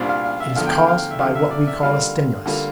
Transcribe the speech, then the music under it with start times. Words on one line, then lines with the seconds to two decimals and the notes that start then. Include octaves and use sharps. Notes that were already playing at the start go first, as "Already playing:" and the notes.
It is caused by what we call a STIMULUS.
Already playing: C2 A#2 G3 D4 F4 C5
0.09 F5
0.25 F5
0.40 E5
0.56 E2 D3 F3 F5
0.66 G5
0.77 F5
0.88 F5
1.11 E5
1.19 E2 D3 F3 F5
1.35 E5
1.51 D5
1.67 E5
1.83 D3 G3 A#3 F4 F5
2.46 D3 G3 A#3 F4